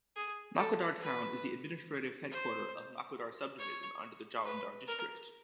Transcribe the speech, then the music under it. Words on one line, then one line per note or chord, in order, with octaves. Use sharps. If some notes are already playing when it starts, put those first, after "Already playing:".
Nakodar Town is the administrative headquarter of Nakodar subdivision under Jalandhar district.
G#4
A4
B4
C5
C#5
B4
A#4